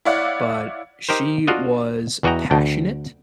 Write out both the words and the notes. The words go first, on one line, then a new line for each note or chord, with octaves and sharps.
But she was passionate
E4 C#5 D5 F5 F#5
D#4 G4 A#4 C5
D4 F4 F#4 D#5
E2 E3 F#4 D#5 G5 A#5
D2 G5